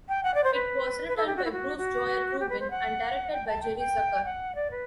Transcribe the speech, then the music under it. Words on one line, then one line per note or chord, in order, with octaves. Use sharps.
It was written by Bruce Joel Rubin and directed by Jerry Zucker.
G5
F#5
D5
C5
B4
B4
A4
G4
F#4
E4
F#4
F#4
G4
B4
C5
F#5
G5
A5
G5
G5
F#5
D5
B4